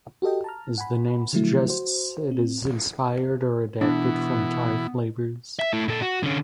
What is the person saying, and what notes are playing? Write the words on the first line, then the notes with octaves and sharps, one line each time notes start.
As the name suggests, it is inspired or adapted from Thai flavours.
F#4 G4 A4 D#5 G5
A5 A#5 F6
F#5 G#5 B5
D3 F3 F#3 A3 E4
F#4 C5
C4
B2 E3 B3 D4 E4
E5
A3 E4
A#2 A4
F#4
D3 C#4